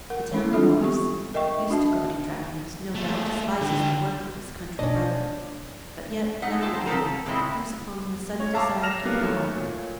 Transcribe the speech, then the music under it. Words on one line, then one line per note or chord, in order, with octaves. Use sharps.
The town horse, used to gaudy trappings, no doubt despises the work of his country brother; but yet, now and again, there comes upon him a sudden desire to plough.
A#4 F#5
E3 G#3 C#4 E4
G3 C4 D4 F4 A4 E5
B3 G4 C#6
A#4 D#5 E5 G5 C#6
D4 F#4 E5 A5
G#3 A3
D3 G4
B2 C#4 D4 E4 D#5
A3 D#4 F#5
A#3 F4 A4 G5 A5
D#3 C5
C#3 C4 D#4 A4 A#4
A#3
A#2 C#3 G#3 C4 E4
C#4 C#5
E5 F5 A5 A#5 D6
F6 A#6 E7 F7
F#3 G3 A#3 B3
F#3 A3 C#4
A#2